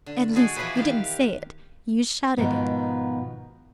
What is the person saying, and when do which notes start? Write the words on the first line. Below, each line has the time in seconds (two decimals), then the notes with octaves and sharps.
"At least--you didn't say it--you shouted it!"
0.06 D3
0.35 G#3 F#4 G#4 A4
0.56 E3 F3 E4 G#4 B4 C5
0.75 D#3 G4 F5
2.37 G#2 B2 D#3 F3